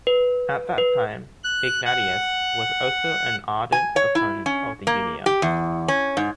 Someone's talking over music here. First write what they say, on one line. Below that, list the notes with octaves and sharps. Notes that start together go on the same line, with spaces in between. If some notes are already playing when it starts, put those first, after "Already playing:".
At that time, Ignatius was also an ardent opponent of the Unia.
B4
B4
F#6
F#5
G#5
C#5
E4
C#4
A#3
G4
E2
C#4
G#2